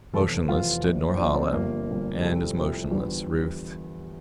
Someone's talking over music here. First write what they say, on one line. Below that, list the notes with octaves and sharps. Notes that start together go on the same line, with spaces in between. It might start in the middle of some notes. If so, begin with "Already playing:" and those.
Motionless stood Norhala; and as motionless Ruth.
F1 E2 E3 A4 A5
F1 E2 E3 F4 F5
A#1 A#2 F3
C5
A#1 A#2 F3 D4 D5
C4 C5
G1 G2 F3 A#3 A#4
G1 G2 F3
C2 C3 F3 A3 A4
C2 C3 F3
E2 D3 F3 G3 G4